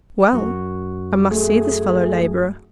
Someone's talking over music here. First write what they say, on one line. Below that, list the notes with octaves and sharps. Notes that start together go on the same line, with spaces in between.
Well, I must see this fellow-laborer.
F#2 F#4
A3 G#4